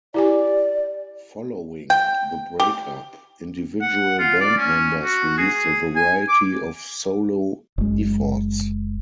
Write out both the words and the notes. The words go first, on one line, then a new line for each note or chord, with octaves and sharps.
Following the breakup, individual band members released a variety of solo efforts.
E4 G4 D5 G#5
G5
G4
F#5
F4
D5
C#4
F#4
G#4
G#5
D6
F#1 G#3